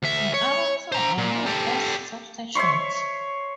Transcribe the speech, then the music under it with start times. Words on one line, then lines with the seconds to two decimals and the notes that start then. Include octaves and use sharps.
The other two are used as substitutes.
0.03 D2 E5
0.34 C#5
0.92 C5 A#5
1.18 A#2
1.46 G4 A4
2.55 C#5 E5 C6 C#6